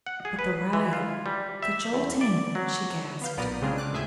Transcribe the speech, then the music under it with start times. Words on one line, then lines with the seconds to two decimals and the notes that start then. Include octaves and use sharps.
"But the ride--the jolting," she gasped.
0.07 F#5
0.25 G#4
0.39 B4
0.73 E3
0.93 F4
1.26 G3
1.62 E5
1.93 E2
2.21 D5
2.55 F#3
3.21 B3 F5 G6
3.37 B1 A#2 B3 D5 A#5 D#7
3.62 C#3 G#3 C4 D4 F4 G#4
3.78 D6 F#6
3.93 D2 A2 G#4 E5 G#5 G6